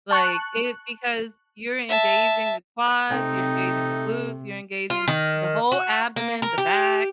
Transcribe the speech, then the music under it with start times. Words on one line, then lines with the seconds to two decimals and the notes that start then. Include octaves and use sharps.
like, it because you're engaging the quads, you're engaging the glutes, you're engaging the the whole abdomen, the back,
0.11 A5 C#6 F#6
1.89 E5 A5
3.11 C3 A3 C4 D#4 G5
4.90 F4
5.08 D#3
5.72 F#4
6.16 A#3
6.42 A#4
6.58 G4